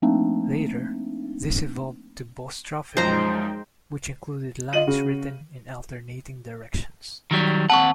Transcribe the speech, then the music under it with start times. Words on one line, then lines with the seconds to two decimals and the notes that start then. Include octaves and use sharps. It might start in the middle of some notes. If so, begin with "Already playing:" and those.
Later, this evolved to "boustrophedon," which included lines written in alternating directions.
0.02 F3 A3 A#3 C4 D4 D#4
2.97 F#2 F3 G#3 D#4 C5 G5 A#5
4.73 F4 D#5 D#7 F#7
4.87 C#3 F#4
7.31 D#3 F#3 G3
7.70 D#2 C4 F#5 A5 C#6